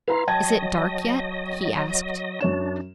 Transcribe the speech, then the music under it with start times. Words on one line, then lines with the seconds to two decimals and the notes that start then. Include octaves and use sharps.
'Is it dark yet?' he asked.
0.08 E4 B4 F5 A#5 C6
0.28 F#3 D#5 G5 A5 G#6
2.41 F#2 D4 C#5 E7